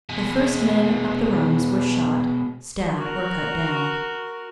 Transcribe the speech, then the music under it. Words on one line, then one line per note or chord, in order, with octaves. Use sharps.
The first men up the rungs were shot, stabbed, or cut down.
B2 G#3
F#4 A#4